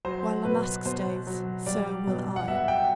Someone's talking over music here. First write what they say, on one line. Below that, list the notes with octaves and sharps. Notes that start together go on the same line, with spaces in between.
"While La Masque stays, so will I."
F#3 C5
B2 B4
B2 C5
F#3
G3 D5
B2
F#5
B2 E5
G5